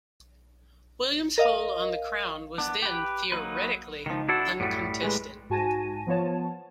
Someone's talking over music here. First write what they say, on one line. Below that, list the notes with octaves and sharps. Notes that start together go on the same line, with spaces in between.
William's hold on the crown was then theoretically uncontested.
A#4 D#5 F5
B3 D4
G4 B4
F#3 A#3 D#4 B4
C#2 D#3 F3 D#4
D4 E4 F#4 A4
F#2 A2 F#3 G3
G#3 G#4 B4
G#2 F#4 G#5 A5 A#6 D#7
F3 B3 F4 C#5 A5